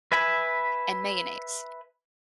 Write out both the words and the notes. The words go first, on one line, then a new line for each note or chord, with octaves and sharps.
and mayonnaise.
B4 E5 G#5 B5